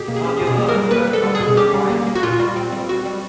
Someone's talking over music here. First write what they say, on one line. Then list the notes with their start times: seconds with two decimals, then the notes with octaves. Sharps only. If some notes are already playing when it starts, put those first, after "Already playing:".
Tanya learned that Karl had survived the leap from the cliff.
Already playing: B2 C#4 G4 G#4
0.08 A#3
0.16 G#4
0.24 C#4 G4
0.41 B2
0.47 G#4
0.58 A#3
0.69 A#4
0.74 G3
0.91 A#3 B4
1.07 G3
1.13 A4
1.24 G3
1.35 G#4
1.40 B2
1.57 C#4 G4
1.74 G3
1.90 A#3
2.07 A#3
2.15 F#4
2.23 A#2 F4
2.40 G3
2.56 C4
2.73 G3
2.89 C4 F#4
3.06 G3